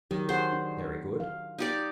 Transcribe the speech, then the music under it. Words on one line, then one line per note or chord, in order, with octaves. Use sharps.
Very good.
D#3 F#3 G4
G#4 C5 F#5
D4
F5
D#4 G4 D5